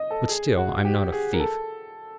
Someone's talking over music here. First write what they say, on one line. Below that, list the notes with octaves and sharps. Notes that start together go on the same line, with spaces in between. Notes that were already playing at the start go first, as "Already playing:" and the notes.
But still I'm not a thief?
Already playing: D#5
A4
G#4
F#4
G4
G#4
A#4
A4